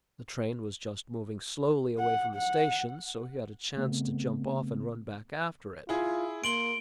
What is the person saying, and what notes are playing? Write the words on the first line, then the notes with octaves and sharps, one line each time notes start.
The train was just moving slowly away from the station, so he had a chance to jump off and run back after it.
F#5
F#5
C#3 A3 B3 C4
E4 F4 G#4
A#3 C6 D7 F#7 G7